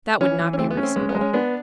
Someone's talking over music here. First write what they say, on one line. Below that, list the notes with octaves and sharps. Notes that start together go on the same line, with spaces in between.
That would not be reasonable.
E3 C#4
E3
C#4
A3 C4
B3
C#4
C4
G#3 B3
B3
G#3
C#4
B3 D4